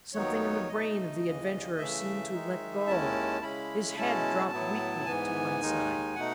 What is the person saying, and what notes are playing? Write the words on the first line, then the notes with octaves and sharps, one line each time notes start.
Something in the brain of the adventurer seemed to let go; his head dropped weakly to one side.
D#2 D#3 F#3 B3 D#4 C#5
B2 A3 D#4 D#5
D#2 C#3 E3
C#3 E3 A3 E5
D#3 G#3 D#4
D#2 D#3 G#3 C#4 E4 A5
C#3 G#3 C#4 E4 B5
B2 G#3 C#4 E4 A5
A2 F#3 B3 E4
G#2 E3 B3 G#5
D#2 D#3 G#3 D#4
B2 A3 D#4 F#5